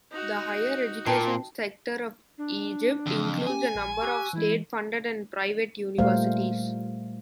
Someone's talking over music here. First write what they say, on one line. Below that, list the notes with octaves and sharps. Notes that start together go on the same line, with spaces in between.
The higher education sector of Egypt includes a number of state-funded and private universities.
D#4 F#4
A#2 G5 A5 C7
D4
F2 C#3 E3
C#4 G4 G#5
A#1
G4 C#6 E6 F#6
E3 G#3 E4
A#2 G3 A3 A#4 C5 F5